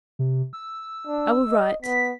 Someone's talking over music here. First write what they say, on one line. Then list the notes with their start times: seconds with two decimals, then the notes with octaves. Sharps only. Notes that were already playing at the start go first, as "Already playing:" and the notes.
I will write.
0.19 C3
0.53 E6
1.07 D4
1.50 D#5
1.83 B3 B6